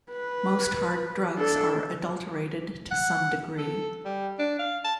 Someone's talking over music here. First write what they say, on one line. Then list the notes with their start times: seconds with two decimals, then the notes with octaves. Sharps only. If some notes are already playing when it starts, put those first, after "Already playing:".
Most hard drugs are adulterated to some degree.
0.11 B4
1.35 D4 A4
2.91 F#5
3.58 A4
4.05 G3
4.39 D4
4.59 F5
4.84 A5